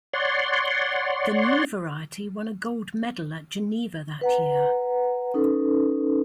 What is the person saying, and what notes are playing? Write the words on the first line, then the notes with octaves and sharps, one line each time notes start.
The new variety won a gold medal at Geneva that year.
C#5 D5 F#5 C6
B4 F#5 A#5
C#4 D#4 A4 B4